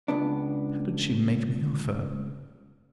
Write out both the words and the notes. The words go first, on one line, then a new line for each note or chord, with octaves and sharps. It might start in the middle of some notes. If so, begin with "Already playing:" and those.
How did she make me offer?
C#2 B3 D4